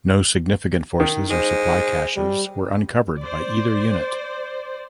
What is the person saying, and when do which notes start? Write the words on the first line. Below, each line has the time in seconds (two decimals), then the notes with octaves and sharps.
No significant forces or supply caches were uncovered by either unit.
1.00 D#3 D#4
1.30 G#3 C5
2.17 G3
3.18 C5 D5